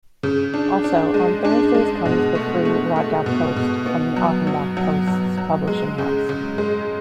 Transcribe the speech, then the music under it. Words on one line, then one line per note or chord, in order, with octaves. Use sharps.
Also, on Thursdays comes the free "Rodgau-Post" from the "Offenbach-Post's" publishing house.
C#3
D4
D4
G#3
D4
G#3
B2
A3
A3
A3
B2
B2
B3
F#3
F#3
F#3
F#3
F#3
G#3
C#3
C#3
G#3